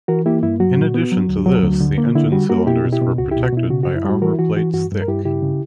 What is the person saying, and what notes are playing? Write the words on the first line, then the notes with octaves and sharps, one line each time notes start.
In addition to this, the engine cylinders were protected by armour plates thick.
E3 F#4 A#4
A#3 E4 G4
G2 E4
F#3 F#4
A#2
B3
F#3
D2
F#3
D2
D3
A#3
D3 E4
G3 F#4
A#3 F#4 A#4
B2 E4 G4
B2
E4 G4
B2
C#2 F#4
E4 G4
B2
F#4
B2 E4
C#3 F#4
F#2 F#4
E4
G3 F#4
E3 F#4 A#4
E4
E3 F#4
E3 F#4
G2 F#4
G2
A#4
G2 E4 G4
C#3 E4 G4
C#3